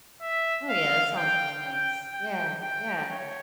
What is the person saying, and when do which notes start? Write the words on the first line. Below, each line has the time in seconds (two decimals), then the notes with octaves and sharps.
Oh, yeah, that sounds really nice. Yeah, yeah.
0.22 E5
0.69 F5
1.17 G5
1.67 G5
2.14 G5
2.63 G5
3.11 C#5